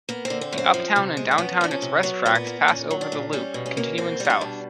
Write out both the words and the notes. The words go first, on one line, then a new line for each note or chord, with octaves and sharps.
The uptown and downtown express tracks pass over the loop, continuing south.
A#3 B3
C4
D3
C4
F#2
C4
F3
C3
G#3
D4
B3 C#4
F3 D4
C#4
C3
F#3 B3
A#2 C4
B3
A#3
A#2 C#4
F#3
D4
A#2
G3 C#4
B2
C#4
A#3
B2 C4
G3 D#4
D4
B2